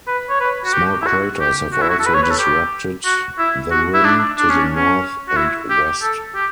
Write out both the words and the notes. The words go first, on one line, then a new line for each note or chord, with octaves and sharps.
Small craters have also disrupted the rim to the north and west.
B4
C#5
B4
F#4
G4
E4
F#4
G4
F#4
E4
F#4
A4
B4
C#5
B4
A4
G4
F#4
E4
F#4
E4
D4
D4
C#4
C#4
F#4
E4
G4
A4
G4